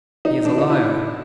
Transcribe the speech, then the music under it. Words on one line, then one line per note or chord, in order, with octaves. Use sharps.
He is a liar.
D#4
D4
D#4
E4